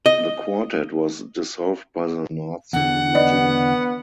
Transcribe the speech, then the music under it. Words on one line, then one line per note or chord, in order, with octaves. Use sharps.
The quartet was dissolved by the Nazi regime.
D#5
E2 D3 F#5
B3 D5 D#5